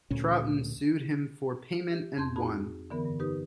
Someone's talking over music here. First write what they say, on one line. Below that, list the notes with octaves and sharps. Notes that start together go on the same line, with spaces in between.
Troughton sued him for payment and won.
D2 A#2 C#4
G4 E5 G6
F2 C4 A5 C6 G6 G#6
D#4 F#4 G#4 A5 B5
D3 E3 B3 A#4 B5
G2
D#4 G4 B4 D#6